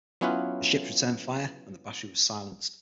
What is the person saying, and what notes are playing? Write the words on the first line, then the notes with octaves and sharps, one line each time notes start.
The ships returned fire and the battery was silenced.
F#3 B3 C#4 E4 F4 B4